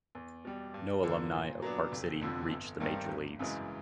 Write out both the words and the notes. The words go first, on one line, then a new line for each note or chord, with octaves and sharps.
No alumni of Park City reached the major leagues.
E2
B2 G3
G2
D3 F3 A#3
A#2
F#3 B3 D4
F1
F2 D3 F3
G1
G2 D#3 G3 C4
G#1
F#2 C#3 E3 G#3